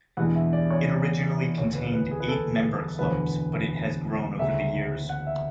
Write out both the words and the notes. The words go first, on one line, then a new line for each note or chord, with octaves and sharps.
It originally contained eight member clubs, but it has grown over the years.
E2 B2 G#3 D4 F#5
E5
D5
C#5
E1 D2 C#3 C#5
B4
B4
G#4
B4
A4
E1 D2 D3 F#3 B3 B4
D2 C#3 F#3 E5
F#5
E5